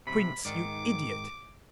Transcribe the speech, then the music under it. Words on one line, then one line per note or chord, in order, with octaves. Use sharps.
"Prince, you idiot!"
B1 G2 C3 B5
G#2 D#3 D6